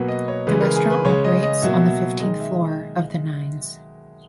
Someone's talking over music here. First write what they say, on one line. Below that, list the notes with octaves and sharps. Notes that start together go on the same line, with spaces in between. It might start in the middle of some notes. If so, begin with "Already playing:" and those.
The restaurant operates on the fifteenth floor of The Nines.
Already playing: B2 F#3 A#3 B4
D#5
C#5
C#3 E3 G#3 B4
A#4
G#4
B4
C#3 G#3 C#5
D#5
D#5
B2 F#3 A#3 E5
E5
D#3 G#3 D#5
E5